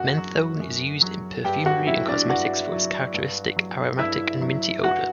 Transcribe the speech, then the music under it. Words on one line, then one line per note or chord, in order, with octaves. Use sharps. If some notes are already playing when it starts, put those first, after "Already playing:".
Menthone is used in perfumery and cosmetics for its characteristic aromatic and minty odor.
Already playing: F#2 F#4 F#5
F#3
F#2
F#3
G2 G4 G5
F#4 F#5
F#3 E4 E5
D4 D5
G2 F#4 F#5
F#3
G2
F#3
G2 E4 E5
F#3
G2 F#4 F#5